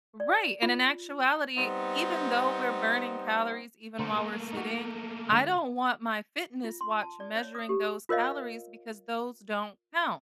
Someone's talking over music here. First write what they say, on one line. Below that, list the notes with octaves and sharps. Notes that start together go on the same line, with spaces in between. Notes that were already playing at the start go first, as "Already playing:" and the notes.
Right. And in actuality, even though we're burning calories even while we're sitting, I don't want my fitness watch measuring those calories because those don't count.
D5
F4
G3 B3 C4 D#4
D3 A3 A#3 A#4 C5
G#4 A#4
D#4 F#4
D3 G#3
F4
C6
A5
D5
C#5
D#6
G4
F4 A#4 C#5 D#5 F5